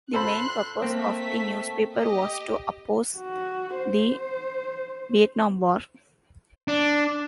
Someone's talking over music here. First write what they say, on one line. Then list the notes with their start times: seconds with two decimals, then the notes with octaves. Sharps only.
The main purpose of the newspaper was to oppose the Vietnam war.
0.13 A4 C5 B5 C6 F#6
0.82 A3 A#3 C4 B6
1.96 G4 D#5
3.17 F#4
3.76 C5
6.68 D4